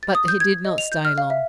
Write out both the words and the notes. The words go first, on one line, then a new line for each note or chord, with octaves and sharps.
But he did not stay long.
A6
D#6
G6
G#6
D#5
F7
G6
F6
F5
E5